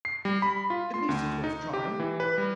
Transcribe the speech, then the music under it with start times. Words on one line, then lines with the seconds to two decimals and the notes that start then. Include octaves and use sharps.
At least it's worth trying.
0.05 C7
0.25 G3
0.42 B5
0.70 F4
0.94 C6
1.09 D2
1.44 D#4
1.73 G4
2.00 E3
2.20 B4
2.38 G3